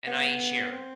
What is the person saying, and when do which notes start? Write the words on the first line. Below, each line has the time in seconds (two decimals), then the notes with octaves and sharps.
and I ain't sharing."
0.07 B3
0.72 C4